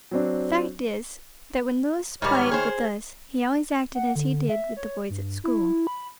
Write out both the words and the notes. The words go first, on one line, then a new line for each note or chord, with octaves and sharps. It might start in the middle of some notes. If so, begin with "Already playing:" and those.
The fact is, that when Louis played with us he always acted as he did with the boys at school.
F#3 C4 D4
G#2 D#3 G3 C#5 F6
G#4 C5
F#5
D3
E5
C#5
G2
E4
B5